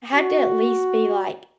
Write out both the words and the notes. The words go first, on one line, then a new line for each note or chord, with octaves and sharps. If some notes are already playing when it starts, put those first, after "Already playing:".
had to at least be, like,
F#4